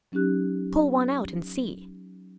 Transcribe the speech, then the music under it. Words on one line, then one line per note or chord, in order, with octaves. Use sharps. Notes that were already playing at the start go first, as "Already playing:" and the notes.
"Pull one out and see!"
F#3 C#4 D#4 G4 F#6